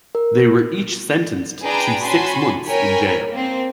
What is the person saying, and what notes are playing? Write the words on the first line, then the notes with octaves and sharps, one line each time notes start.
They were each sentenced to six months in jail.
A#4
D4 G#4 B4 G5 A#5 D7
C#4 F#4 G#5 A5 B5 C6
A#4 C#5 G5 G#5 B5
A#3 C4